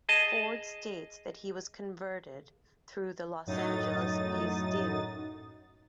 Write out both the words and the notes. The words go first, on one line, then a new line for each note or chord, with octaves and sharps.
Ford states that he was converted through the Los Angeles Beis Din.
G#4 D#5 A5
F#2 A2 F#3 D#4 D#6 A6